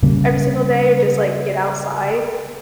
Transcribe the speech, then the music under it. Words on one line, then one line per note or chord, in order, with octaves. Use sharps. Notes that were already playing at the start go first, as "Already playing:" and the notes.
every single day or just, like, get outside
C#3 G3 A#3